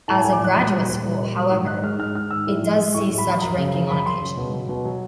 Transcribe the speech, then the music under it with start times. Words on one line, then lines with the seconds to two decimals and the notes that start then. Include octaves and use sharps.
As a graduate school, however, it does see such ranking on occasion.
0.08 A2 A5
0.20 A2 G#5
0.33 D6
0.39 F3 F#6
0.56 A#2
0.71 G3
0.88 A#2
1.03 G3
1.19 A#2
1.36 G3
1.51 G#2
1.67 D#3 F#6
1.83 G#3 F6
1.98 G#2 F6
2.15 G#2 F6
2.31 D#3 E6
2.47 A2
2.63 F3
2.79 G#3
2.95 A2 C#6
3.11 A2
3.18 B5
3.27 F3
3.42 F#2 A#5
3.58 C#3
3.74 F3
3.89 F#2 B5
4.06 F#2 C6
4.21 C#3
4.37 B2
4.54 F#3
4.69 B2
4.85 F#3